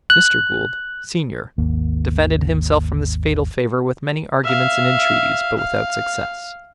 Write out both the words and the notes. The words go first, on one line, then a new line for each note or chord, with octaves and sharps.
Mr. Gould, senior, defended himself from this fatal favour with many arguments and entreaties, but without success.
F#6
G#1 D#2 A#3
E5 F5
F5